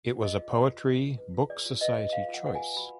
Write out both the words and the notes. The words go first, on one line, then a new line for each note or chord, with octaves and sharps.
It was a Poetry Book Society Choice.
G#4 D#5
F4
B4
F4
G#4
F4
B4
F4
G#4 D5
F4
B4 D#5
F4
G#4 F5
F4
F#5
B4 F#5
G#5
F4
F#4 B5